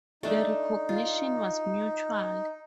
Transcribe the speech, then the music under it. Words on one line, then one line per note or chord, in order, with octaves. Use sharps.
The recognition was mutual.
A3 D4 D#4
F4